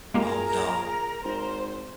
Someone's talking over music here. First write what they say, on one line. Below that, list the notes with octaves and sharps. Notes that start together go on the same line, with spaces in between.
Oh, no.
A#2 G#3 A#3 G4 G#4 A#4 A#5
G#1 C5